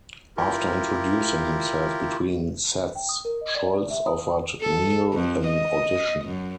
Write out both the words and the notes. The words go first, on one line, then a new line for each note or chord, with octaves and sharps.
After introducing himself between sets, Scholz offered Neal an audition.
E4 F4 G4 A#4
G5
D#6
A#4
D#5
D5
E5
D#6
A4
F2
D#5
F#2